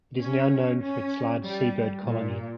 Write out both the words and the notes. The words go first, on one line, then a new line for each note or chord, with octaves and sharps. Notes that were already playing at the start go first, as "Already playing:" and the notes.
It is now known for its large seabird colony.
C#4
C#4
G3
A#2